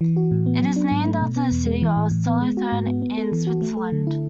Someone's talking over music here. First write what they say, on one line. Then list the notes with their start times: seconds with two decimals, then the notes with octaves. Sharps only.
It is named after the city of Solothurn in Switzerland.
0.01 E3
0.16 F#4
0.31 A2
0.46 B3
0.61 F#3
0.76 D4
0.92 G#2
1.07 A3
1.21 B2
1.36 B3
1.51 E2
1.66 G#3
1.82 E3
1.97 A2
2.11 A2
2.26 B3
2.41 G#3
2.57 F#4
2.72 G#2
2.86 B3
3.02 B3
3.17 A4
3.32 E3
3.47 F#4
3.62 A3
3.77 A4
3.92 D3
4.07 E4